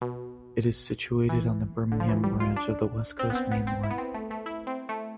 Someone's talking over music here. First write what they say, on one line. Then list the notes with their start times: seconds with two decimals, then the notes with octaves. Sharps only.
It is situated on the Birmingham branch of the West Coast Main Line.
0.01 B2
1.29 E3
1.92 D3
2.00 F3
2.08 E3
2.23 G3
2.40 F4
2.56 D4
3.19 C4
3.30 B3
3.35 C4
3.51 B3
3.67 C4
3.83 E4
3.90 B3
3.98 C4
4.14 A3
4.31 A3
4.46 E4
4.67 C4
4.89 A3